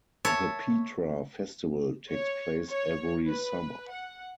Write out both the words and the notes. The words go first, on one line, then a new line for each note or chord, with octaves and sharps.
The Petra Festival takes place every summer.
C#5 E5 A5
C#5
C#5
B4
F#5